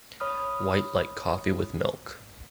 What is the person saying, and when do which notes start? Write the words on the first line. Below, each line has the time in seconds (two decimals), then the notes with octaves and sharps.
White like coffee with milk!
0.20 C#5 B5 D#6 F6